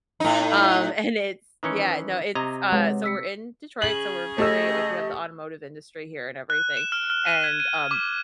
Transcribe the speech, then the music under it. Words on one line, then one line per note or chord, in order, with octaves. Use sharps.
um, and it's yeah, no, it's, uh, so we're in Detroit, so we're very like, we have the automotive industry here and everything, and, um,
A2 D#4
D#3 E3 C#4 A#5 C#7
C3 D#5 A#5 G#6
G#3 B4 C#5 F#5
E6 B6 C#7
C#3 G#4 F#7
A3 G4 D#5 E6
F#6
E7
F6
F6
D#7
G#6
D#7
D6